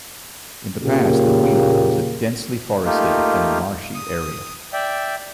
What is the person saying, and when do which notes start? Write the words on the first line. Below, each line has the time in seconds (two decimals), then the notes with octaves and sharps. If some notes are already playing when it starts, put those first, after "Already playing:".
In the past the Weald was a densely forested and marshy area.
0.82 A#2 C#3 A#3 G4
2.85 A3 A#3 D#4 F4 G4
3.95 D#6
4.73 D5 E5 G5